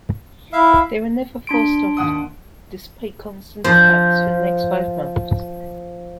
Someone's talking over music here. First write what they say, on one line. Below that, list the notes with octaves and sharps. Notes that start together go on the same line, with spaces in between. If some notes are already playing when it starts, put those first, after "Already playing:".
They were never forced off despite constant attacks for the next five months.
E4 E5 F5
D4 C6 D7
D#2 F#5 D#6
F3 C5